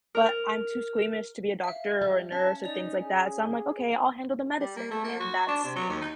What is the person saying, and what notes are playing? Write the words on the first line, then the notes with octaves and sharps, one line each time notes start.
but I'm too squeamish to be a doctor or a nurse or things like that, so I'm like, "Okay, I'll handle the medicine," and that's
A#4
E5 F5
G3
C#4 A5
D#4 D5 F7
G#4
G3
A#3
A3
A#3
F#4
D4
C3
F#3
D#2
D#4